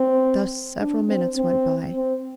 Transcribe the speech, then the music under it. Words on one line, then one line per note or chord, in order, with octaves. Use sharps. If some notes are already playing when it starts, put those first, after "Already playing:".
Thus several minutes went by.
Already playing: C4
D4
C4
C4
C4